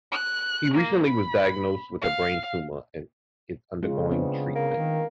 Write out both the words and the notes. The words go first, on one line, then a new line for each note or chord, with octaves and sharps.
He recently was diagnosed with a brain tumor, and is undergoing treatment.
F#6
A#3
B5
F5
C#3 G#3 C#4 F4
B3 C4 D4
A#3
D#3